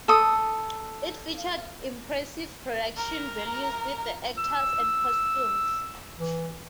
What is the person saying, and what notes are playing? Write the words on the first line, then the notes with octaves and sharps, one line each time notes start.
It featured impressive production values with the actors and costumes.
A4 D#6
A#4
E6
E3